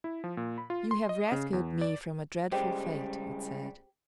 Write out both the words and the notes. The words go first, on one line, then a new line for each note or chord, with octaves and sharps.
"You have rescued me from a dreadful fate," it said.
E4
F3
A#2
B5
F4
C6
D#5
C#3
E2
D5
C#3 G3 G#3 G4 G#4 C5